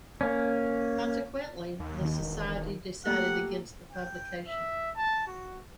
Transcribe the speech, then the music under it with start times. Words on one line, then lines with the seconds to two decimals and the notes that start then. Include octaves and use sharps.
Consequently, the society decided against the publication.
0.21 A#3 C#4
1.80 D#2
2.01 D#3 D#4
2.20 E1
3.06 A3 A#3 G4 F#5
3.92 G5
4.48 E5
4.96 A5
5.27 F#4